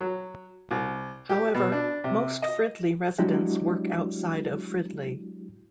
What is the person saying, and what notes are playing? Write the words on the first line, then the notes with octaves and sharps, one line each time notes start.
However, most Fridley residents work outside of Fridley.
F#3
C2
G4
B2
D4
C3
D#5
F#3 G#3 D4 E4 F#4 G4